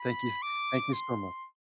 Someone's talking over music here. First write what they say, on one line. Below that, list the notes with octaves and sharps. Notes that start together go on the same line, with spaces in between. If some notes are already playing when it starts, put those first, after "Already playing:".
Thank you s thank you so much.
Already playing: B5
D6
C6